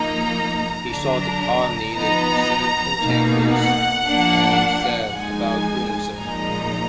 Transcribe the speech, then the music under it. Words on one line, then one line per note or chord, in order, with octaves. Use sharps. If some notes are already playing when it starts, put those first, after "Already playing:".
He saw the car needed significant changes, and set about doing so.
Already playing: F3 A#3 D#4 A#5
D3 F#3 D4 A#5
F3 B3 D#4 A#5
B2 A#3 D#4
F#5
F3 A#3 D4
F3 G#3 D#4 G#5
A#2 F3 G#3 D#4 A#5